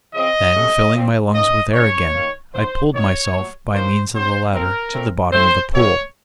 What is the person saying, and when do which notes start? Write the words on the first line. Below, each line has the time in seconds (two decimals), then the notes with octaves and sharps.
Then, filling my lungs with air again, I pulled myself, by means of the ladder, to the bottom of the pool.
0.13 C#3 F3 C4 D#5
0.53 C3 F#3 A3 C#4
0.93 A#2 F3 C4
1.33 D#3 A#3 C#4 D#5
1.73 D#3 A#3 C#4 C#5
2.13 D#3 A#3 C#4
2.53 D#3 F#3 C4 C5
2.93 D#3 F#3 C4 C#5
3.33 A#2 F#3 A3
3.72 D#3 A#3 C#4 C5
4.13 A2 F#3 C4 C5
4.53 A#2 F3 C4 A#4
4.93 A#2 A3 C4
5.32 A2 A3 C4 C5
5.73 A2 F3 A3 C4 C#5